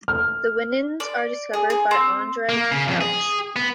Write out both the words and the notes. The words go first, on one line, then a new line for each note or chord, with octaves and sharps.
The Winans were discovered by Andrae Crouch.
F6
D5
G#4
G#4
C4
A#3
C#3
F2
G#4
B3